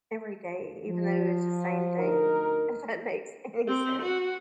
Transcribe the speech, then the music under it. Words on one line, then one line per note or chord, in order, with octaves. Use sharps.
every day, even though it's the same thing, if that makes any sense,
F3
D2 D#4 A#4
C4
F#4